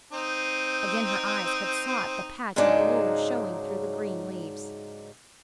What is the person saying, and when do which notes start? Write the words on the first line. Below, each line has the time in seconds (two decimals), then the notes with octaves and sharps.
Again her eyes had sought the patch of blue showing through the green leaves.
0.12 C4 D#4
2.56 G#2 C#3 F#3 G#3 D4 D#4